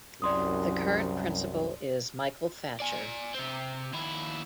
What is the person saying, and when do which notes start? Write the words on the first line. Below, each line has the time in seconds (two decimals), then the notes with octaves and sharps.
The current principal is Michael Thatcher.
0.22 C2 F#2 D5 C6 D#6
2.80 D5 G#5
3.35 C3 C4
3.94 D#2 E4